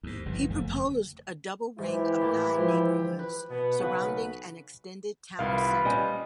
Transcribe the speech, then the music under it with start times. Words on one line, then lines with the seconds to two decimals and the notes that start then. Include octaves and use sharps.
He proposed a double ring of nine neighbourhoods surrounding an extended town centre.
0.03 D#2 G#2
0.26 G1 F2 C#3 E3
0.50 F#1 F2 D3 A3
1.79 G#2 E3 E4 G4
2.22 A2 A#3
2.56 G#2 F3
3.19 B4
3.50 B2 B3
3.79 B1 C#3 B4 F#5
5.39 C2 D#3 F4 B4 F5 B5
5.85 G3 C#4 D#5